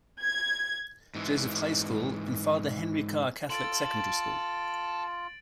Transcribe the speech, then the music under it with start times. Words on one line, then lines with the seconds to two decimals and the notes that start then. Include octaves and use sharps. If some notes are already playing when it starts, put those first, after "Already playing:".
Joseph High School, and Father Henry Carr Catholic Secondary School.
0.20 G#6
1.15 G#2 E3
3.50 F4 A4 A6 D7 F#7